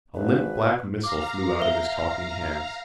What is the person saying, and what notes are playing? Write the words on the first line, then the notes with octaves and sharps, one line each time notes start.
A limp black missile flew out of his talking hands.
G#1 B4
F5 A#5 D6
A#4 E5 G7